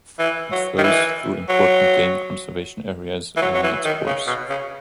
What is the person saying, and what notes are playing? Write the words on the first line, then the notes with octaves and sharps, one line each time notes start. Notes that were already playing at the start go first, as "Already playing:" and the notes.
It flows through important game conservation areas along its course.
E3
F#3
D#3
E3
F#3
E3
F#3
F#3
E3
D#3
C#3
B2
C#3